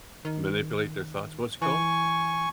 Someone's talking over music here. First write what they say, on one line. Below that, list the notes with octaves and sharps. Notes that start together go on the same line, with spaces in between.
manipulate their thoughts. What's it called?
D#3
E3 G#5 C#6